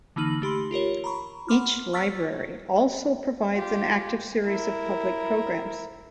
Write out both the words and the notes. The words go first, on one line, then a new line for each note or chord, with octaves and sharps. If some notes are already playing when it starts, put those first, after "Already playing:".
Each library also provides an active series of public programs.
D3 E3 A#3 D#4 F6 F#7
A3 G4 B5 C6
F4 G4 A#4 C#5
A#5 B5 C#6
F#5 B5 C6 D6 F6
C#6 E6 F6 A6 B6
F4 G4
E4 A#4